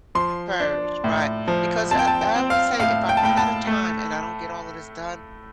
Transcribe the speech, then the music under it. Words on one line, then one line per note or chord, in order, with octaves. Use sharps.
First. Right. Because I I would say, "If I run out of time and I don't get all of this done,
F3 C6
D4
A2
F3
C4 A5
G5
A5
G5
C4
F5
A2 F5
G5
A5
A2 G5
A5
A3